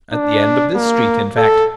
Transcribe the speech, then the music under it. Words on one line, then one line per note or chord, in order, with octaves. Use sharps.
At the end of this street in fact.
D4
A#3
A4